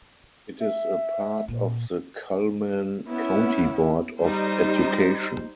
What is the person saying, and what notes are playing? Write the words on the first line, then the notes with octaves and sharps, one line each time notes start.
It is a part of the Cullman County Board of Education.
E5
A#2
B3 C#4 E4
G3 D#4 C5